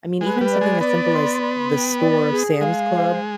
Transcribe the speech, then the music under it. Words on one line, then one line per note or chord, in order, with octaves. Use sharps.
I mean, even something as simple as the store Sam's Club,
G#3 B4
G3
D5
G#3
B3 D5
C6
C6
G5
D5
G#4
G#3 F5
C5